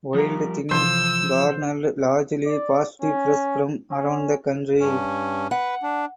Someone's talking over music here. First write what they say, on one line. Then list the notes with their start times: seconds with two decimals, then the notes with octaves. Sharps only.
Wild Thing garnered largely positive press from around the country.
0.14 F3 G3 A#4
0.71 C3 E3 F3 C5 E6
2.45 D5
3.02 C#4
3.91 C#4
4.80 G2 C#4
5.51 B4 F#5
5.83 D4